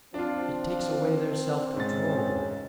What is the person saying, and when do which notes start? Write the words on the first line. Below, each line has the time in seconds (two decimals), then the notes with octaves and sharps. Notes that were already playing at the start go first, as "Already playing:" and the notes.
It takes away their self-control.
0.14 F3 C4 D4 F4
1.77 G#2 C#3 A6